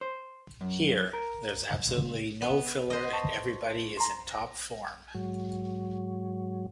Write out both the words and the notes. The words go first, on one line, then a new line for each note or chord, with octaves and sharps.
Here, there's absolutely no filler and everybody is in top form.
C5
F#2
A#4
C#2
B3
C5 D#5
A5 C#6
A#5 C6
A#6
G#2 F#3